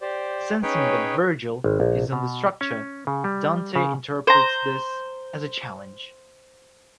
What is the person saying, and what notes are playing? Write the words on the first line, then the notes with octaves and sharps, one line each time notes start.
Sensing that Vergil is on the structure, Dante interprets this as a challenge.
G4 C5 D5
C#4 D#4 G#4 B4 C#5 G5
G#1
A#1
B2
C#4
C#3
G3
C#3
C5 A#5